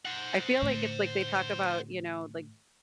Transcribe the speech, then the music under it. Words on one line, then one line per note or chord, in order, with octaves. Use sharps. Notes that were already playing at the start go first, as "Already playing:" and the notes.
I feel like it's like, they talk about, you know, like,
C5 F#5
A2 D3